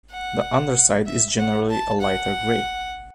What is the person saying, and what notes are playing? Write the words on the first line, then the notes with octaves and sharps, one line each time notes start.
The underside is generally a lighter gray.
F#5
E5
F#5
A5
F#5